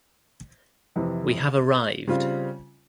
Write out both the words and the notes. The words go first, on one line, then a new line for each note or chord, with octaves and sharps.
We have arrived!
F2 C3 E3
C#3 G3 C4 F4